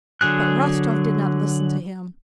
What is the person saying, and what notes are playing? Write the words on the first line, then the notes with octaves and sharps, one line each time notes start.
But Rostov did not listen to him.
D3 F#3 G#4 F#6